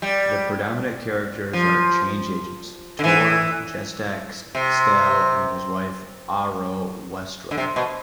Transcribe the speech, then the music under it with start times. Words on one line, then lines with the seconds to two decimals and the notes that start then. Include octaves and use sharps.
The predominant characters are change agents: Tor, Jestak, Stel and his wife Ahroe Westrun.
0.02 G3
1.53 F3
2.99 D3
3.04 E3
4.55 C3
7.51 D3
7.58 C3
7.76 B2